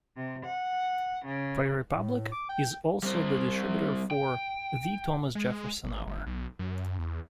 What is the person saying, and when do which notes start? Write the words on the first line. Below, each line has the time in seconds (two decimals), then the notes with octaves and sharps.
Prairie Public is also the distributor for "The Thomas Jefferson Hour".
0.16 C3
0.45 F#5
1.25 C#3
1.94 A2
2.32 D6
2.48 G5
3.03 G3 C4
4.11 G5
5.35 G#3
5.84 G#1
6.07 G1
6.27 B1
6.59 F#2
6.99 E2